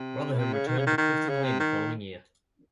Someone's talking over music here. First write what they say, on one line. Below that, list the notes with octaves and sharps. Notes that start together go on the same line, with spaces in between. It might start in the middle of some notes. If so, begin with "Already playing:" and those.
Rotherham returned to Clifton Lane the following year.
Already playing: C3
A2
C3
C#3
D#3
C#3
D#3
D#3
C#3
C3
D#3